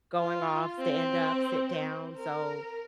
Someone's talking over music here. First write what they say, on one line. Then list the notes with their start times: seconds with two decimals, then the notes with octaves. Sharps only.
going off, "Stand up, sit down." So,
0.17 F4
0.79 C4
2.17 A#4